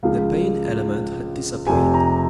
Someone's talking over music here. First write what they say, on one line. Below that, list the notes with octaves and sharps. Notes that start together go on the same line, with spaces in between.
The pain element had disappeared.
C#2 C#3 F3 F5
F1 F2 C3 G#5
A#5